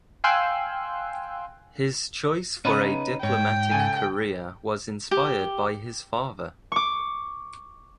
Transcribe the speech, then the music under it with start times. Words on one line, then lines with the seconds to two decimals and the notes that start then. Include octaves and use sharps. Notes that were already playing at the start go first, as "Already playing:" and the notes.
His choice for a diplomatic career was inspired by his father.
0.24 F5 G5 G#5 C6 E6 F#6
2.65 C#3 A3 B3 C#4 D#4 B4
3.23 G#2 C#5 G5
3.71 C#3 A4 G#5
5.11 G4
6.72 C#6 D6